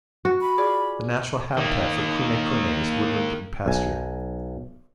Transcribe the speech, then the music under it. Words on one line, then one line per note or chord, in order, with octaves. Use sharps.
The natural habitat for kunekune is woodland and pasture.
F#4
B5
F4 G#4 D5
D#3 A#3
B1 G#5